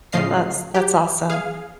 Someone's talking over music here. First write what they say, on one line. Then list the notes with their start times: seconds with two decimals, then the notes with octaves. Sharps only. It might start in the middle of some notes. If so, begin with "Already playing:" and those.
That's that's awesome,
0.12 A2 C#3 F3 D#5 F5 C7
0.74 G4
1.30 G#4 F5